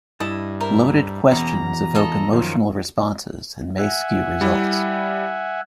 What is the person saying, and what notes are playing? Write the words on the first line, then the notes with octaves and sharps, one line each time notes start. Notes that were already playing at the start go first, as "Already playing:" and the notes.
Loaded questions evoke emotional responses and may skew results.
G2 E4 D#5 A5
A#4 C5 E5
E2 B2 C#4 A#5
F4 A4 D#5
F#2 D#3 F3
E5 F#5 G#5
G3 E4